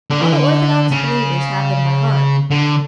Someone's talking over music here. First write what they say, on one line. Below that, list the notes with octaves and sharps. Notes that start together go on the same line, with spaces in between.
All the orthodox believers have them by heart.
D3
E3
D3
C#3
D3